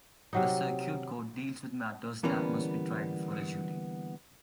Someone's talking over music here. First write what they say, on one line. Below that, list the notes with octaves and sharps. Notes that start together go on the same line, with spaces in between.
The Circuit Court deals with matters that must be tried before a jury.
C3 F#3 D#4
D3 E3 G3 A#3 B3 C#4